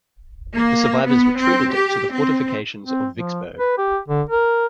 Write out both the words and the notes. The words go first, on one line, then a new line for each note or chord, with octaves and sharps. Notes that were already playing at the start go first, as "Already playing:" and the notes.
The survivors retreated to the fortifications of Vicksburg.
A#3
B3
C4
G4
C4
C4
F3
B4
G4
D3
A#4